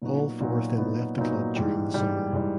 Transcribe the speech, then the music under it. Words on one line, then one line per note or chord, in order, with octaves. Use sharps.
All four of them left the club during the summer.
A#2 F#3 B3 D#4 F#4
A#2 F#3 B3 D#4 F#4
A#2 F#3 B3 D#4 F#4
A#2 F#3 B3 D#4 F#4
G#2 E3 G3
G#2 E3 G3
G#2 E3 G3